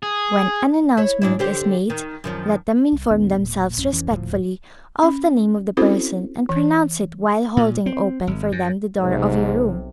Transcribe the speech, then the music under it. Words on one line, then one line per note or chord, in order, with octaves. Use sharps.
When an announcement is made, let them inform themselves respectfully of the name of the person, and pronounce it while holding open for them the door of your room.
G#4
E4 C#5
G#2 D4 E4
D3 G4 C5
D#3
F#2 D#3 F3
C2
A1 D2 B3 D4
E1 A#2
G#1 F2 C#4
F2 E3 C#4
D#1 D2 A2 F3
C#4
C4 C#4 E4 F#4 A4 C5
E3
A#2
C4
G#1
F#2
B1 G#2 C3